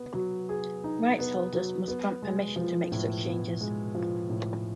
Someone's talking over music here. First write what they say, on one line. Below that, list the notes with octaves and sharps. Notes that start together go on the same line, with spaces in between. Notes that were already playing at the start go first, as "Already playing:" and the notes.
Rights-holders must grant permission to make such changes.
Already playing: B3
F#3
G#4
D#4
B3
F#3
B3
G#3
F3
A2
B3
G#3
F3
A2